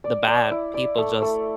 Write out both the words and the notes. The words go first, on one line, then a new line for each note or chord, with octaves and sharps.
the bad people, just,
D5
D5
E4
D5
A3
A3